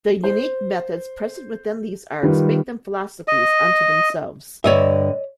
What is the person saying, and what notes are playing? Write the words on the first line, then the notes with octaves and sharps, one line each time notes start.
The unique methods present within these arts make them philosophies unto themselves.
C5
D#3 G3 F4 B4
D#5
G2 D3 C#5 D#5 E5